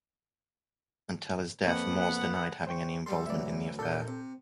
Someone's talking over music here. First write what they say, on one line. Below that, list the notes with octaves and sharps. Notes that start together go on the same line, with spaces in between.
Until his death Moores denied having any involvement in the affair.
F2 A#3 B3 F#5
C5 G5 C#6
F#3 G3 A4 C6
D2 E3 F#3 D5 E5
A#2 D4 A4 G6
C3